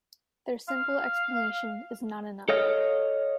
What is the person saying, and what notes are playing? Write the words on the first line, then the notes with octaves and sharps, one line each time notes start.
Their simple explanation is not enough.
F5
A4 C#5 D#5 F5